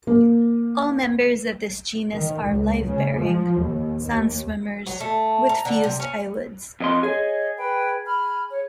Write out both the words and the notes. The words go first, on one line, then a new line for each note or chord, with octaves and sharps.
All members of this genus are live-bearing, sandswimmers, with fused eyelids.
A#3
D#3
C#2
C#3
F3
D#2
D#2
F#3
A3
A#5
D3
C3
C#4
F2 D#5 C6
G#4 C#5 D#5
B4 G5 B5
B5 F6
C#5